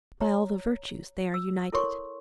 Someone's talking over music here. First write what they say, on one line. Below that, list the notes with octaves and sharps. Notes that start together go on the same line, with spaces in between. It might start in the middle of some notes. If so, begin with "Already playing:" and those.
By all the virtues they are united.
C#5 A#5
E6
E4 A4 A#4 C#5 C6 C#6